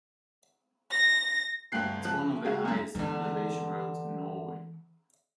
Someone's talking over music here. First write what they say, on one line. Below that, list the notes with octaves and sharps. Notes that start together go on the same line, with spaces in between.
It's one of the highest elevation roads in Norway.
A#6
G1 D2 A3 G5 F#6 C7
F3 F#6
C#3 G#3 F#4 G#4 F5
C#2 F#2
G2 D3 E3 B3